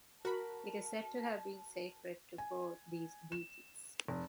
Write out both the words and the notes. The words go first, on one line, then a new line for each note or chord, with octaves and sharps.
It is said to have been sacred to both these deities.
F#4 A#4 A5 B5
G#5
E7
F1